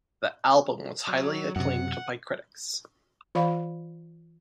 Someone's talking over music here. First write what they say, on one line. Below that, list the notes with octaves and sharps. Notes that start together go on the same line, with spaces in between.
The album was highly acclaimed by critics.
F#3
F#2 C3 F#5
E3 F4 D5 F5 B5